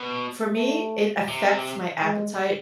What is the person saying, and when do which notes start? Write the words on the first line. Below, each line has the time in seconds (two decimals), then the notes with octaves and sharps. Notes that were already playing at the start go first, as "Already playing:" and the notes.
For me, it affects my appetite.
Already playing: B2
0.55 A3
1.28 C3
2.02 G#3